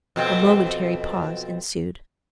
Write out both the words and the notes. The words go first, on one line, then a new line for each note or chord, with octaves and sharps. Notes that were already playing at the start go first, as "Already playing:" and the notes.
A momentary pause ensued.
F2 B2 C4